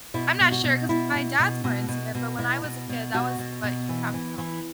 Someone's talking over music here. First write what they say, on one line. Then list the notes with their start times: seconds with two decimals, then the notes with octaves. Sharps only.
I'm not sure 'cause my dad's more into it, but when I was a kid, that was, like he would have to tell me to
0.14 B2 E4
0.40 B2
0.52 F#4
0.64 B2
0.89 B2 E4
1.15 B2
1.39 B2
1.64 B2
1.88 B2
2.15 B2
2.39 B2 E4
2.63 B2
2.89 B2
3.14 B2 F#4
3.39 B2
3.63 B2
3.89 E3
4.14 E3
4.38 E3